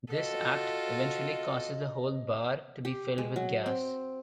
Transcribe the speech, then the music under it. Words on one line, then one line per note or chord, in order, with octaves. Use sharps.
This act eventually causes the whole bar to be filled with gas.
F4 F#4 A4 D#5
G4
G#3
F#3
C4